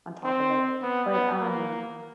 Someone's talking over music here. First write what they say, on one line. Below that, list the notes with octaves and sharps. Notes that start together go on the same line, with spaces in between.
on top of it. But, um,
C4
B3
B3
A#3